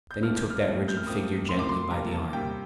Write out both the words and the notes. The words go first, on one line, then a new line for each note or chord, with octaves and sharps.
Then he took that rigid figure gently by the arm.
G6
A#2 A3 C4 F6
G6
F6
A#2 A3 C4
G6
F6
A#2 A3 C4 D#6
A#2 A3 C4 C6
D6
C6
C3 G3 A#3 A#5
A5
C3 G3 A#3 G5